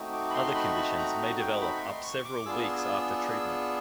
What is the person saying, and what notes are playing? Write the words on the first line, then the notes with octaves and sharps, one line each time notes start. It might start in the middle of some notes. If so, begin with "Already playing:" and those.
Other conditions may develop up several weeks after treatment.
Already playing: A3 C4 D#4 F#4
D6
B5
C6
B5
B5
A#5
G5
B5
C#6
C6
C#6
D6
B3 D4 F4 G#4 E6
E6